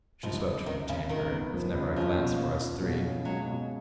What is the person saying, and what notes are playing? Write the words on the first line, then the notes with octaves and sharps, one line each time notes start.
She swept from the chamber--with never a glance for us three.
C#2 F3
C#2
C#2 D#3
C#2 C#3
C#2 D#3
B3
F3
C#2
F3 C#4
B2
B2
F4
B2
C#4
F#3 G#3
B2